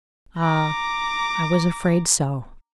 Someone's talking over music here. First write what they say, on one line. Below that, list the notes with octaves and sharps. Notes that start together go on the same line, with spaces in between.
Ah, I was afraid so.
A#5 D6